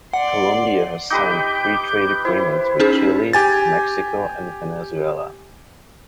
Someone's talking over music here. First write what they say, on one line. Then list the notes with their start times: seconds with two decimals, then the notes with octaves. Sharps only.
Colombia has signed free-trade agreements with Chile, Mexico, and Venezuela.
0.13 D5 F#5 C6
1.10 D#4 G4 B4 D6 G6
2.25 E4 C5
2.80 C#4 D#4 G#4
3.33 G4 G#5 A6